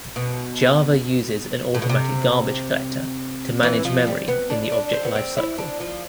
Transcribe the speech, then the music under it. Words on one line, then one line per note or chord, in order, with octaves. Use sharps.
Java uses an automatic garbage collector to manage memory in the object lifecycle.
B2
A2
B2
C3
E3
F3
G3
B3
D4
D4
C4
B3
C4
E4
D4
F3